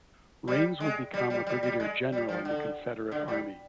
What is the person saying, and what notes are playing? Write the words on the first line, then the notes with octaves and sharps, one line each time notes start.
Rains would become a brigadier general in the Confederate Army.
G3
G#3
G3
G3
G3
G3
G#3
G3
F3
D3
D3
G3